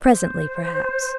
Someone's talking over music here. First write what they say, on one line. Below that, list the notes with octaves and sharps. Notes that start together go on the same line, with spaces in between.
Presently, perhaps.'
C5